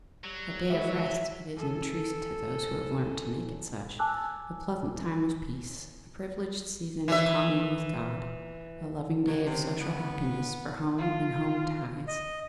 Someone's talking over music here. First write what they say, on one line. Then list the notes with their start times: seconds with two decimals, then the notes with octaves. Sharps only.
A day of rest it is in truth to those who have learnt to make it such; a pleasant time of peace; a privileged season of commune with God; a loving day of social happiness for home and home ties.
0.24 F#3 G3
0.70 E3 G#3 E4 F#4 E5
1.56 A4 G#5
3.99 G#5 A5 D6 E6 F#6
7.08 E3 E5
9.27 D2 C#3 F#3
9.46 C3
9.81 B3
10.98 F4
12.08 D#5